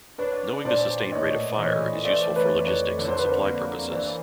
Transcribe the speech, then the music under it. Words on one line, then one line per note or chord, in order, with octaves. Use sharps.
Knowing the sustained rate of fire is useful for logistics and supply purposes.
D4 B4 C#5
A#2 C5 D5
A2 C#5 D#5
E3 C#5 D#5
A3 C5 D5
B4 C#5
F2
B4 C#5
D3 C#5
C5
B4
A#4 C5
A#3
E3 C5 D5